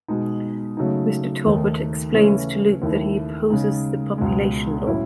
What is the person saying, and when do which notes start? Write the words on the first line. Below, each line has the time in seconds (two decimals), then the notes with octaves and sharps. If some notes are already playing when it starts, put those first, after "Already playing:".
Mr. Talbot explains to Luke that he opposes the Population Law.
0.08 B2 G#3 D#4
0.77 C#3 F#3 A3 D#4
1.45 D#2 D#3 A3 D#4
2.13 C#3 E3 A3 C#4 E4
2.82 D#2 D#3 A3 E4
3.50 C#3 G#3 D#4
4.18 C#2 B2 G#3
4.87 A2 F#3 C#4 E4